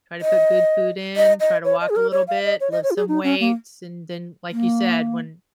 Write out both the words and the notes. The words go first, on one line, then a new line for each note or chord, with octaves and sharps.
Try to put good food in, try to walk a little bit, lift some weights, and then, like you said, when
D#5
D#5
D#5
C#5
D#5
G#4
A#4
C#5
F5
D#5
C#5
D#5
C#5
F4
G#4
D#4
C#4
A#3
A#3